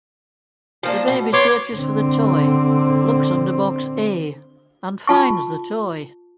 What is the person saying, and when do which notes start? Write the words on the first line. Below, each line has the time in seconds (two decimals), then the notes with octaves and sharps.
The baby searches for the toy, looks under box "A", and finds the toy.
0.83 F3 A#3 D4
1.08 B2
1.33 B3 C#5 C6 D6
1.75 D3 C4
5.07 F4 A5 C#6